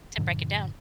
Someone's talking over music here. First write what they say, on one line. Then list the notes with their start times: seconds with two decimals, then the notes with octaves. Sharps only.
To break it down.
0.18 G2 A#2 D3 F3